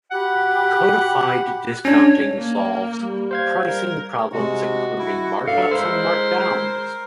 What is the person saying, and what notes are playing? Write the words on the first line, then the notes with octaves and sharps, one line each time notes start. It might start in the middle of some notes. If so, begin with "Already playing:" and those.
Codified discounting solves pricing problems including markups and markdowns.
F#4 G4 F#5 B5
C#4 D4 C#5
A#3
G3
C5 F5 G#6
A#4
C3 G#3 F#4
E4
G2 A4 D5 E5 F5
G#3 E4 A#4 C5 E6